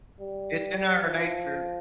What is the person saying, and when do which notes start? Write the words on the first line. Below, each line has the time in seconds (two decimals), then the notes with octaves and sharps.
it's in our nature
0.19 G3
1.03 F3